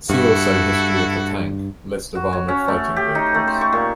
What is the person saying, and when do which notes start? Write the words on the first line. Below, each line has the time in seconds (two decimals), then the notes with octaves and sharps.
See also history of the tank, list of armoured fighting vehicles.
0.10 G2 E4 F#4 A4
2.15 F#4
2.33 C#5
2.48 C#4
2.68 A3
2.96 G4
3.15 D#4
3.35 A3
3.47 C5
3.61 C#6
3.73 A#2